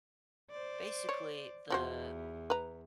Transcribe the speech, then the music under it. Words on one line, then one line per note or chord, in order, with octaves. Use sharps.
basically the
C5 D5
C#5
E2 F3 F#4 C5
B4 A#5